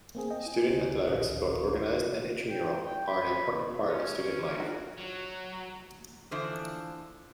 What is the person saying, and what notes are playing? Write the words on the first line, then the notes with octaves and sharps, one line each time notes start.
Student athletics, both organized and intramural, are an important part of student life.
A#3 C4 G#4
D#5 G5
E4 G#5
D2
D1 A#1 D#3 C#4 D#5 F5
G5
G5
B5
C#4
F4 F#4 G#4
F#3
D3 E3 F3 D4 C5